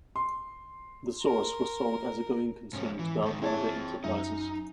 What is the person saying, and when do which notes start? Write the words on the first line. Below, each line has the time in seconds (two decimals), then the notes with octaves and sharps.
"The Source" was sold as a going concern to Bell Canada Enterprises.
0.16 C6
1.22 A#4
2.73 G#2 C#4
2.99 E3
3.22 G#2 D#3
3.42 C4 E4 G#4 C#5 G#5 A5
4.04 F#2 D#4 E5